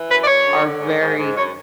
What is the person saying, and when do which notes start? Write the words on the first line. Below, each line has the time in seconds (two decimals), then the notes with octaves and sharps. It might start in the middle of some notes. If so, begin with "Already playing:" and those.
are very,
Already playing: E3
0.08 F#2 B4
0.21 D5
0.26 F#2 C#5
0.45 D3
0.63 D3
0.81 G#2
0.99 G#2
1.18 G#2
1.36 F#2 C#5